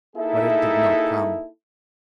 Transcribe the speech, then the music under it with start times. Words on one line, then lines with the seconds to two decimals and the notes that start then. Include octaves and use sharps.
But it did not come.
0.16 A#3 D#4 E4 G#4 A4 E5